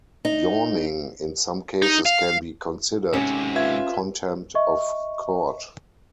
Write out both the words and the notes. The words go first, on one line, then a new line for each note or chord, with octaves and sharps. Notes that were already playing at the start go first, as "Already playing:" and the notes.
Yawning in some cases can be considered contempt of court.
D#4
D#4
F5
G#2 C3 C#4
F4 B4 E5 G#6
D#5 E5 C#6